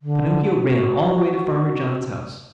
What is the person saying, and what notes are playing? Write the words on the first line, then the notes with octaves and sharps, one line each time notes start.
Pinocchio ran all the way to Farmer John's house.
D3
F#4